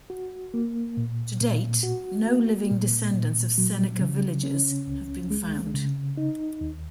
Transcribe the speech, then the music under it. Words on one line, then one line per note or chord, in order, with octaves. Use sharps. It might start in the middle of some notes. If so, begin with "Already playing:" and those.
To date, no living descendants of Seneca Villagers have been found.
F#4
A#3
A#2
A#2
F#4
A#3
A#2
A#2
F#3
C#3
C#4
C#2
G#3
C#3
D#4
D#2